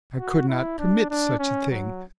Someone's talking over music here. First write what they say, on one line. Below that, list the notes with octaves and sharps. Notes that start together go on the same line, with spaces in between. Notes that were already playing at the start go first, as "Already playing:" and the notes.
I could not permit such a thing.
F#4
E4
D4
D4
C#4
F#3